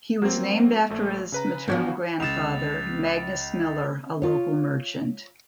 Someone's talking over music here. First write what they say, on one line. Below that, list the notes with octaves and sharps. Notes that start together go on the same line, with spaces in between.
He was named after his maternal grandfather, Magnus Miller, a local merchant.
F#3 A#3 C4
A#1 A3
C#3 B4 A#5
E3 F3 B3 D4 F#4
C#2 A6 E7 F7
F4 C#5